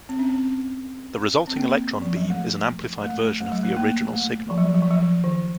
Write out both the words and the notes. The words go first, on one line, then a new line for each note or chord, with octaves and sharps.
The resulting electron beam is an amplified version of the original signal.
C4
C#4
C4
C4
A#3
F3
F#3
A3
A3
A3
F#3
A3
A#3
A3
F3
F#3
F3
F#3
F3
F#3
F3
D#3